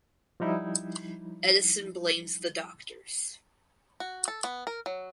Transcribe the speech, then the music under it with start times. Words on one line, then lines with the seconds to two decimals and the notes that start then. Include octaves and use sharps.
Edison blames the doctors.
0.40 F3 G3 D#4 E4
4.00 F#4
4.28 A4
4.44 B3
4.67 A#4
4.86 F#3